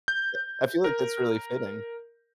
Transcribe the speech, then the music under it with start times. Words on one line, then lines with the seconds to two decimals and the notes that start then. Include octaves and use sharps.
E I feel like that's really fitting.
0.08 G6
0.84 A#4